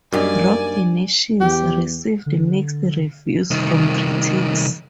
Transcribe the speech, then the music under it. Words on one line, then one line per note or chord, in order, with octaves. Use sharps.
"Rock the Nations" received mixed reviews from critics.
F#2 G3 A#3 D4 D#4 G4 D5 G#5
E2 G4
D3
C2 D#3